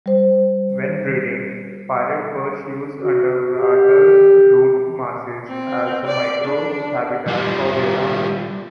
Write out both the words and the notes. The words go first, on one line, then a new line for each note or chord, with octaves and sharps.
When breeding, pirate perch use underwater root masses as the microhabitat for their larvae.
G3 C5
F#4
G4
C4
D5
D4
G3 F4